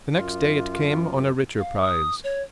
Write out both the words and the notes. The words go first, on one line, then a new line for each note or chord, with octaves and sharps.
The next day it came on a richer prize.
F#2 F4
F5
D#6
C#5